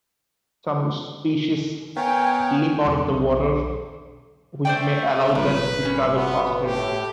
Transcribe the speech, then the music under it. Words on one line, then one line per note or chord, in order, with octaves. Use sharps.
Some species leap out of the water, which may allow then to travel faster.
B3 A#4 C#5 F5 G5 G#5
B1 E2
A3 C5 D5 G5
G1 A#2 A#4 B4
D#2 G3 C#4
B3 F#4 B4
A2 G4